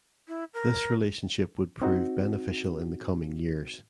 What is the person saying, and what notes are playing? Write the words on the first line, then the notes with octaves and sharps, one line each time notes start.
This relationship would prove beneficial in the coming years.
E4
A#4
C4 D#4 F#4